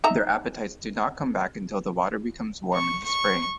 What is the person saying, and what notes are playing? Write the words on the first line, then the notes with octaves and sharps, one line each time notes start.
Their appetites do not come back until the water becomes warm in the spring.
D#4 E5 A#5
C#6
C#6